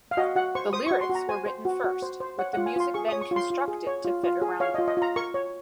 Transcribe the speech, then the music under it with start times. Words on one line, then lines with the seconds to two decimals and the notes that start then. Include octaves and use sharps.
The lyrics were written first, with the music then constructed to fit around them.
0.11 F5
0.17 F#4 D#5
0.36 F#4 F#5
0.55 C5 C#6
0.73 C5 D#6
0.87 C#6
0.91 F#4
1.01 C6
1.10 F#4
1.15 A#5
1.29 C5 G#5
1.46 C5
1.65 F#4
1.84 F#4
2.02 C5
2.20 C5
2.38 C#5 F#5
2.53 F#5
2.57 F4
2.66 G#5
2.76 F4 C6
2.94 G#4 C#6
3.09 D#6
3.12 C#5
3.21 C#6
3.31 F4
3.36 C6
3.50 F4
3.68 G#4
3.87 C#5
4.05 F4
4.24 F4
4.42 G#4
4.60 C#5 F5
4.74 D#5
4.78 F4
4.88 D#5
4.97 F4 A#5
5.16 A#4 C#6
5.34 C#5